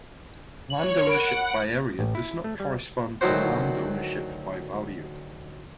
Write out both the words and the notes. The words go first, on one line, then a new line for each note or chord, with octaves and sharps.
Land ownership by area does not correspond to land ownership by value.
C#5 F#7
A#4 F#5 B5 D7
A1
E4
A3
G3
D2 D#3 F#3 E4 F#4 C5